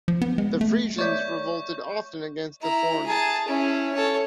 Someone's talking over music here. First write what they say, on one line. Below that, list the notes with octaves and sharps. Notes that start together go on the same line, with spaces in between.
The Frisians revolted often against the foreigners.
F3
B3
G#3
A3
C#5 D5 E5 C#6 G6
E4 A#5
G#4 A5
C#4 E4
A4 C#5